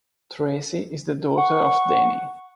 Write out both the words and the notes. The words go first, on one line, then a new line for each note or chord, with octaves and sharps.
Tracy is the daughter of Dany.
F#5 C#6